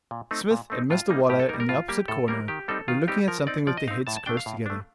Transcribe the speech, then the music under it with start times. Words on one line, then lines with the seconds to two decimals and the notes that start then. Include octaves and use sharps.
Psmith and Mr Waller, in the opposite corner, were looking at something with their heads close together.
0.11 A#2
0.31 A3 C4 D#4
0.51 A#2
0.70 A3 C4 D#4
0.90 A2 F4
1.10 G3 A#3 D#4
1.29 A2 G4
1.40 A4
1.49 G3 A#3 D#4 A#4
1.60 A#4
1.69 A2 F4
1.88 G3 A#3 G4
2.08 A2 A4
2.28 G3 A#3 A#4
2.48 D#3 G4
2.68 G3 C4 D#4 A4
2.88 D#3 F4
3.08 G3 C4 D#4 G4
3.28 F3 A#4
3.47 C4 D#4 D5
3.67 F3 D5
3.77 D#5
3.88 C4 D#4 F5
4.07 A2 A5
4.17 A5
4.26 A3 D4 G5
4.37 F5
4.46 A2
4.66 A3 D4